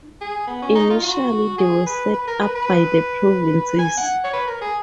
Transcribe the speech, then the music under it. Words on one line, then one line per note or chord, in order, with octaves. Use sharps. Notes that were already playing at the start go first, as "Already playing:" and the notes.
Initially they were set up by the Provinces.
G#4
B3
C#4
D#4
F4
F#4
G#4
B4
B4
A#4
B4
B4
G#5
F#5
C#5
B4
A#4
G#4